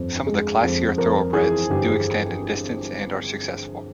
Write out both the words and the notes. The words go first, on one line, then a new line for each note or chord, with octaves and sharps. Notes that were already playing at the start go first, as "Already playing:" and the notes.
Some of the classier thoroughbreds do extend in distance and are successful.
Already playing: G1 F2
G#3
F2
F2 A#4
E3 G#4
G1 G4
G#4